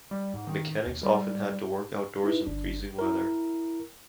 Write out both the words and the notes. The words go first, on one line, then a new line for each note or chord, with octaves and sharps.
The mechanics often had to work outdoors in freezing weather.
G3
G#2
D#3
D#2
G3
D#4 E4 B4
G1 D4
E4 A#4